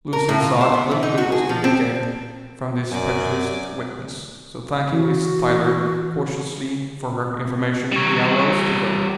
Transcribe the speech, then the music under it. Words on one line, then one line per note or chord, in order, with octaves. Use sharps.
Lucian saw that little good was to be gained from this prejudiced witness, so thanking Miss Tyler courteously for her information, he arose to go.
A#4
A2
F4
C5
B3
E3
D#4
F#4
G#4
F3
C4
F#2 D5 G#5
E3 F#4
G3 C#5